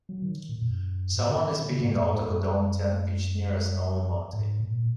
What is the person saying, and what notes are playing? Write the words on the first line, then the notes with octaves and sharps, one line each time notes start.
Someone is peaking out of a dome tent pitched near a snowy mountain.
F#3
D#3
A#2
F#2
G#2
C#3
D#3
D#3
C#3
G#2
F#2
G#2
F#2
G#2
A#2